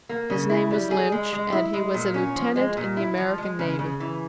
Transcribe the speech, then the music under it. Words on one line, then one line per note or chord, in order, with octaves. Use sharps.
His name was Lynch and he was a lieutenant in the American Navy.
A#3
C#3
E4
G3
G#4
G#3
G#3
E4
G#3
A#2
C#4
F3
G#3
A#2
E4
F3
G#3
C#3
C#3
E3